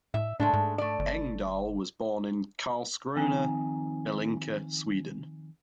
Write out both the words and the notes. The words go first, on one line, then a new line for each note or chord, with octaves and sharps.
Engdahl was born in Karlskrona, Blekinge, Sweden.
A2 E5
A2 G#3 A3 D4
G#2
A3 D5
G1
D#3 F3 C4 D#4 G#5 A#5